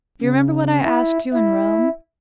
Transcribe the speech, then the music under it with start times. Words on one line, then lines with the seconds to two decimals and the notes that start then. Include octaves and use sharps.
Do you remember what I asked you in Rome?
0.22 C#3
0.84 E4
1.33 E4